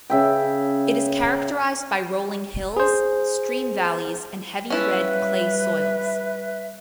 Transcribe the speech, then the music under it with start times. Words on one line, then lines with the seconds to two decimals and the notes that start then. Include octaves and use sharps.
It is characterized by rolling hills, stream valleys, and heavy red clay soils.
0.10 C#3 E5 G5
2.77 G#4 C5
4.70 G3 C#4 E4 F4 B4 E5